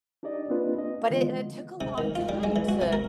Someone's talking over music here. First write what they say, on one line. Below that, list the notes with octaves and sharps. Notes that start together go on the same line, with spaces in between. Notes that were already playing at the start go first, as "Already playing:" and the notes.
but it and it took a long time to,
D4 D#4 G4 D5 D#5
A#3 C4 D4 F4 B4
D#5
D3 E3 G#3 B3 F4
C3
D#3
F4
G3
G#3
E3
F#4
C3
A#4